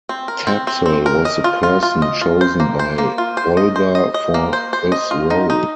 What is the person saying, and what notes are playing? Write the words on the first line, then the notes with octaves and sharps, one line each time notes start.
Tapsell was the person chosen by Bolger for this role.
C4
A#4
C4
C4
C4
A#4
D#5
F4
F4
F4
D#5
F4
C5
A#3
C5
A#3
F4
C5
D#5
C5
D#5
D#5
A#3
C5
C5
D#5
F4
D#4
D#4